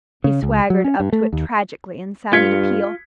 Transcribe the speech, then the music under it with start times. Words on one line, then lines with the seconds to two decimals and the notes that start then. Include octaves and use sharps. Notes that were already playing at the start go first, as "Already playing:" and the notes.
He swaggered up to it tragically, and sounded a peal.
0.24 C#3
0.43 C#2
0.70 F#3
0.84 C#4
1.00 G2
1.13 A3
1.33 D#2
2.33 G2 F4 G#6 B6 C#7